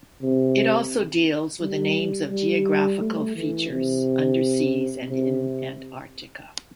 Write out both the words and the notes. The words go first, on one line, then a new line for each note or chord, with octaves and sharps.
It also deals with the names of geographical features underseas and in Antarctica.
C3
G3
G3
A3
E3
C3
C3